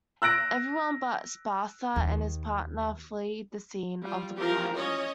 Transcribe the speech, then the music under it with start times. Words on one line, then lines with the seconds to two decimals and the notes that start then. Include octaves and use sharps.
Everyone but Sparser and his partner flee the scene of the crime.
0.22 E6 F#6 A#6 D7
1.96 D#2
4.02 G3 F4
4.37 E3 F3 C4 F4 G4 A#4
4.76 C#4 C#5 D#5